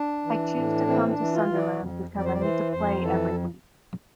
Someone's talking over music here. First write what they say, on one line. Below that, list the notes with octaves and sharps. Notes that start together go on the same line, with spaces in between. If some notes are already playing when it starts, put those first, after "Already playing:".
I chose to come to Sunderland because I need to play every week.
Already playing: D4
E3
A2
E3 C4
D4
E3
F4
E3
D5
F2
F2
D5
C5
D5
E3 C5
F2 C5
E3 A4